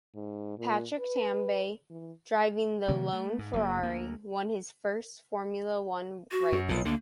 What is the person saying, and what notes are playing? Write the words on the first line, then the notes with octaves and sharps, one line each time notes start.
Patrick Tambay, driving the lone Ferrari, won his first Formula One race.
G#2
A#2
B4
E3
C3 D#3 F3 A#3
A3
G#2
F#1 C#3 F#3 A#3
D2 A#3
F#4
F#2
B1 A#2 F4
D2 D3 A#3